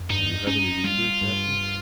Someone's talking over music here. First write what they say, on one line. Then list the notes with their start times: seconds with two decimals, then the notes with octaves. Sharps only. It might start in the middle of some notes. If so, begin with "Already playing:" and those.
"And you haven't it either, captain?"
Already playing: F2
0.10 G2 D#4
0.47 C#4 D#4
0.84 G3 F4
1.21 G2